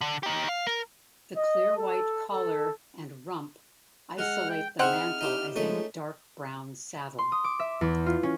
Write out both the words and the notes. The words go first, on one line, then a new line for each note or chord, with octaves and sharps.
The clear white collar and rump isolate the mantle as a dark brown 'saddle'.
D3
D#4 G4
F5
A#4
D#5
A4
A4
G#3 F#5 F6
G5
C4 D#4 E4 G#4 F#5 F6
D#4 E4 G4
F3 G#3 A3 C#4 D#4
C6
D#6
D6
E5
E2
F4
C#4